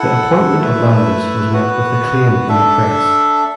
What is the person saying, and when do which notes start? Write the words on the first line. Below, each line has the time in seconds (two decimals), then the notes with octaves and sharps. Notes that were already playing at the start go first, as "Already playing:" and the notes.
The appointment of Landis was met with acclaim in the press.
Already playing: E4 A4 F#5
0.58 A3 E4 B4 E5
1.53 B3 F#4 B4
2.49 D4 A4 E5